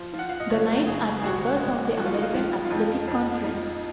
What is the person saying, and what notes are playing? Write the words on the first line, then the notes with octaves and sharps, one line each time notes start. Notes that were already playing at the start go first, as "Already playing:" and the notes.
The Knights are members of the American Athletic Conference.
Already playing: F3 C5
F3
F#5
F5
D#5
F#1 C#5
F#1 G#4
G#4
G#1 F#4
G#3
F3 F#4
F4
D#4
F4
F3 D#4
F4
F2 D#4
F2
F3 D#4